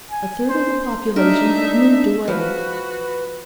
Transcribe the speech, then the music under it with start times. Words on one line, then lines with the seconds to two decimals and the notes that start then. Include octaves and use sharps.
A third of the population had moved away.
0.11 G#5
0.49 C5
1.16 D4 D#4 A#4 E5
2.28 F3 F#4 B4